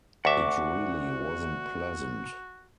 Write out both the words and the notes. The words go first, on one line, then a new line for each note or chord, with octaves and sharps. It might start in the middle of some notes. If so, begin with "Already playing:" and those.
It really wasn't pleasant.
D2 F#4 E5 F#5 C#6 D6